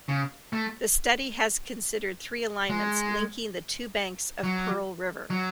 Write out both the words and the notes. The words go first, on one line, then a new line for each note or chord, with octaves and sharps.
The study has considered three alignments linking the two banks of Pearl River.
C#3
A3
G#3
F#3
F#3